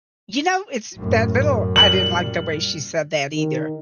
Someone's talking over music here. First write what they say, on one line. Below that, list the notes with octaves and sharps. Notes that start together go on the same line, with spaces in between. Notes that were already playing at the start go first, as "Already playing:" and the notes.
You know? It's that little I didn't like the way she said that either.
F#2 A2
A#2 G3 F#7
D#3